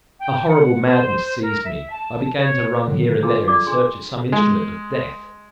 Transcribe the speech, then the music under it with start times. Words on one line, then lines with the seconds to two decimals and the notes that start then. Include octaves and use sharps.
A horrible madness seized me; I began to run here and there in search of some instrument of death.
0.20 G5
0.48 F#5
0.90 C5
1.42 A#4
1.64 E5
1.90 A5
2.36 C#5
2.88 D3 D#3 F#3
3.23 D4 F4 G#4 A4 A#5
3.48 F#4 D5 D6
3.67 D4 G#4 C6
4.32 G#3